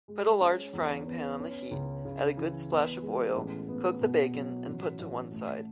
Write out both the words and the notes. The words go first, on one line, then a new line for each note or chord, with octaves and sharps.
Put a large frying pan on the heat, add a good splash of oil, cook the bacon and put to one side.
G#3
C#4
E2
B3
C#4
C#2
C#3
E3
B3
G#3
A1
B3
B2
F#3
A1
A1
A3